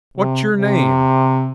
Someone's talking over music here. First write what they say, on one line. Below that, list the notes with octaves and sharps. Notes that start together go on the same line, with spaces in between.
"What's your name?"
C3
C3